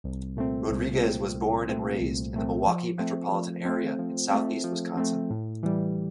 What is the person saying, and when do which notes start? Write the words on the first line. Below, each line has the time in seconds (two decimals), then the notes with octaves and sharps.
Rodriguez was born and raised in the Milwaukee metropolitan area in southeast Wisconsin.
0.04 C2
0.36 A#2 A3 C4
0.70 C2
1.02 A#2 A3 C4
1.35 C2
1.68 A#2 A3 C4
2.01 C2
2.34 A#2 A3 C4
2.67 F3
2.99 A3 C4
3.32 F3
3.65 A3 C4
3.99 F3
4.31 A3 C4
4.64 F3
4.97 A3 C4
5.30 A2
5.63 E3 G3